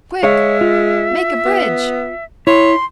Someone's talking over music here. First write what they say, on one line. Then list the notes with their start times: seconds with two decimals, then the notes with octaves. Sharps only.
Quick!--Make a bridge!
0.23 G#3 C#5 E5 F5
0.61 F4
1.45 B3
2.47 E4 C#5 C6